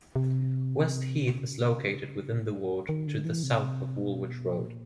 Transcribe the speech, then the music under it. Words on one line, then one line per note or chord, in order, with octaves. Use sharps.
West Heath is located within the ward to the south of Woolwich road.
C3
C#3
D#3
D3
E3
C3
B2
A#2